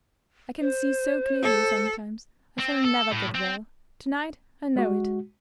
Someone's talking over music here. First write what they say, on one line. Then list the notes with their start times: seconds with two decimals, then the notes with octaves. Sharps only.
I can see so clearly, sometimes, I shall never get well--to-night I know it.'
0.61 C5
1.43 A4
2.59 C4
2.84 A4
3.11 A2
3.35 C4
4.76 G#3 F#4